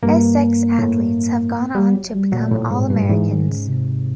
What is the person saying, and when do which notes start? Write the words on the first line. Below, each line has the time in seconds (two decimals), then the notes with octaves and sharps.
Essex athletes have gone on to become All-Americans.
0.03 G2 A#3
0.79 A2
1.75 G3
1.94 F#3
2.14 G3
2.32 A#2 F#3
2.52 A2
2.71 G#2
2.90 G2
3.09 G#2 E3
3.29 D#3
3.48 C#3
3.67 C3